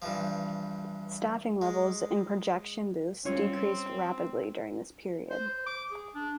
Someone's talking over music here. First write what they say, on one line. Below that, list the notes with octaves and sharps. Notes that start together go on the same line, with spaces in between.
Staffing levels in projection booths decreased rapidly during this period.
G2 E3 F3
G#3
G3 C4 C#4 F4 G#4 C#5
C5
C5
D6
G#4
D4